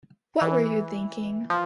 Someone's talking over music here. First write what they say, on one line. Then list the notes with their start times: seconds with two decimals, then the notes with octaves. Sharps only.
What were you thinking?
0.41 E3
1.50 F3